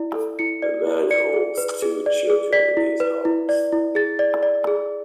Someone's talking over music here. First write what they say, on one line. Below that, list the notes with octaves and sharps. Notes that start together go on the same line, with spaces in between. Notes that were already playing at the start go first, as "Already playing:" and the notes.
A man holds two children in his arms.
Already playing: E4 D5
A4
E4 C#7
D5
E4
D5 C#7
G#4
B4
G#4
D5
G#4
D5 B6
E4
B4
E4
D5
E4
G#4 A6
D5
D5
G#4